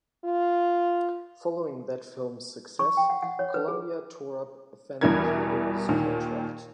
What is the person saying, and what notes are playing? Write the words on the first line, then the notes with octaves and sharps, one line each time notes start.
Following that film's success, Columbia tore up Van Peebles' contract.
F4
C#6
G5
F#5
F#5
C#5
B4
G#4
E2 B2 E3 G3 A#4 G#6
D#2 A#2 D#3